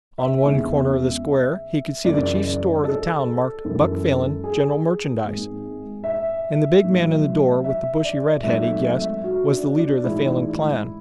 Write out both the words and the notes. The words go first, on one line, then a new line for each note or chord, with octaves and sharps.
On one corner of the square he could see the chief store of the town marked "Buck Falin--General Merchandise," and the big man in the door with the bushy redhead, he guessed, was the leader of the Falin clan.
E5
E2 C#3 G#3
F#2 C#3 E3 G#3 D5
A4
F#2 E3 G#3
G#4
G#1 G#2 G#3
E5
A1 G#2 F#3
E5
D5
G#1 G#2 F#3 A3 E5
E5
F#4
D4
D4
A1 G#2 E3 G#3 E4